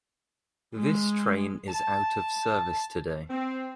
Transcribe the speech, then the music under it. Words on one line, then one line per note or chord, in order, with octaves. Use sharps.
This train is out of service today.
G#3
A5
C4